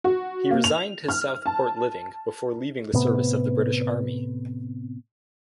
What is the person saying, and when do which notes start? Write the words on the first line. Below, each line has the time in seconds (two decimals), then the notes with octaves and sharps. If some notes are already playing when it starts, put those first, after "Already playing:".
He resigned his Southport living before leaving the service of the British Army.
0.04 F#4
0.51 A#3
0.64 F7
1.09 F6
1.46 A5
2.93 A2 C3 B3